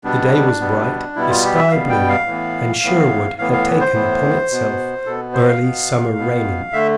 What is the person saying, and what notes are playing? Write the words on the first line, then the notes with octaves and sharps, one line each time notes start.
The day was bright, the sky blue, and Sherwood had taken upon itself early summer raiment.
B2 G3 B3 D4
B2 G3 B3
B2 G3 B3 E4
F4
G4
E5
B2 G3 B3 F5
G5
F5
A2 E3 B3
A2 E3 B3
A2 E3 B3 F5
F5
C5
A2 E3 B3
B2 B3
B2 B3 A4
C5
F5
B2 B3
B2 B3
D3 A3 E5